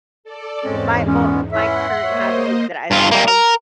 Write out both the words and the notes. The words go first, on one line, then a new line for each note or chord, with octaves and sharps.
My well, my current hobby that I love
A4 D5
E2 G#2 G#3 C4 C#4
A#2 G#3 B3 C#4
E3 C#4 E4 E5 F#5 C6
A#3 C5 C#5 D#5
G2 F4
G3 A#3
A#4